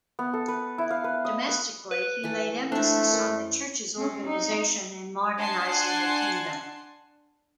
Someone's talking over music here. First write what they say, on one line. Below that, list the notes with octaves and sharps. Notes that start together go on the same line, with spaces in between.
Domestically he laid emphasis on the church's organization and modernizing the kingdom.
B3
A4
B4
E4
F5
B4
D#5
B4
B4
E3 A3
A3 C4 D4 E4
F#2
C4 C#4
D#4
D4 F#5 G#5 A5 C6 C7